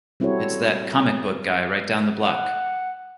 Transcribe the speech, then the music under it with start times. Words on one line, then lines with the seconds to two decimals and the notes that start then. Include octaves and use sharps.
It's that comic-book guy right down the block.
0.20 G3 C4 E4 F#4 A4 C#5
2.21 F#5